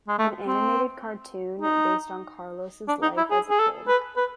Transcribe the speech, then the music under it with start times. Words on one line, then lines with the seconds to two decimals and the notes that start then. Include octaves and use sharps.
An animated cartoon based on Carlos' life as a kid.
0.08 G#3
0.19 A3
0.47 C4
1.61 D#4
2.88 D4
3.02 D#4
3.17 E4
3.31 G#4
3.50 G#4
3.59 A4
3.88 B4
4.16 B4